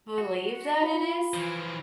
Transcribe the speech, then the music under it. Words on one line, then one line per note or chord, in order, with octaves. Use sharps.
believe that it is,
F#4
F4 B5
E3 F3